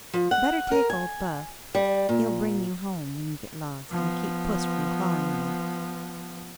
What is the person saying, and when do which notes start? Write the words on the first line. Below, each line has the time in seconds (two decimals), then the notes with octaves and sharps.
Better take old Buff; he'll bring you home when you get lost, and keep puss from clawing you.
0.14 F3
0.31 F#5
0.71 A#4
0.90 G#5
1.75 G3
2.09 A#2
3.91 F3 B3